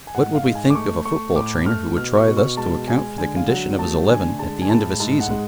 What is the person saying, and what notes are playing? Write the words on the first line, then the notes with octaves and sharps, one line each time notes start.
What would we think of a football trainer who would try thus to account for the condition of his eleven at the end of a season?
G#5
G#2 F#5
F5
G#2
G#5
D6
A3 C#6
A3 C#6
A2 D6
A3 F6
B2 F6
C#6
B2
C#6
G#3 A5
G#3 G#5
D3 G#5
F5
F#3 F#5
A3 A5
D3 G#5
G#3 A5
G#5
A2 A5
G#2 A5
F#5
G#3